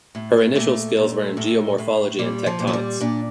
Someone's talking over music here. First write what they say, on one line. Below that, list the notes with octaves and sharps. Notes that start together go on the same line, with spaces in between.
Her initial skills were in geomorphology and tectonics.
A2
A#2 A3
A#2
A2
A2
A#2 G3
F3
A#2
F3
G3
A#2 D4